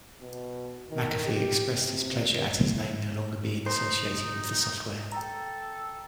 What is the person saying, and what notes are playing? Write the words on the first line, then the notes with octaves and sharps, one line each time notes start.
McAfee expressed his pleasure at his name no longer being associated with the software.
B2
D#3
G4
C3
D#4 C5
A4 G5 A#5